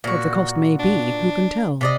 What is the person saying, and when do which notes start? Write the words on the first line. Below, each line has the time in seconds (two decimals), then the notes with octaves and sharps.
What the cost may be, who can tell?
0.04 A#2 F#4
0.80 D4
1.81 C3 D5 D#5